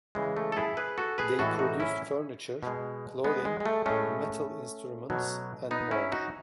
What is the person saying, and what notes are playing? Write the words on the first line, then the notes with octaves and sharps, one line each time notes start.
They produced furniture, clothing, metal instruments and more.
C#3 E3 G#3
A3
A4
E4 G#4
G#4 B4
F#4 A4
G#4 B4
A2 E3 G#3 F#4 A4
D#4 F#4
C#4 E4
B2 G#3
G#3 B3
G#3
G#3
A3
A2 G#3 A3 C#4
B2 F#3
B3 D#4
C#4 E4
D#4 F#4